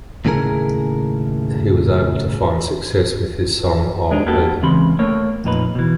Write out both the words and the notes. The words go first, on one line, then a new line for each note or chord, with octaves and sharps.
He was able to find success with his song I'll Be.
D#2 A2 C#3 G#4 A#4
G#3 D4 D#4
A#3 B3 F#4 G4 A4
C#2 C#3 E3 C4 B5 C6
A3 A#3 C#5
F2 A#2 D#4 B4
B2 E3